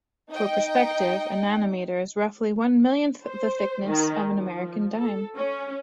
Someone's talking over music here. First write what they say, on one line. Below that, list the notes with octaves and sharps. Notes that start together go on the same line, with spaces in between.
For perspective, a nanometer is roughly one-millionth the thickness of an American dime.
D#4 D#5 G5
C5
D#3
F3
A4
C#4